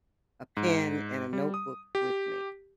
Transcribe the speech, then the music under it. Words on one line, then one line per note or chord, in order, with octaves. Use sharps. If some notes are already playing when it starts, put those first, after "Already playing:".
a pen and a notebook with me
G#2
G3
D#6
G4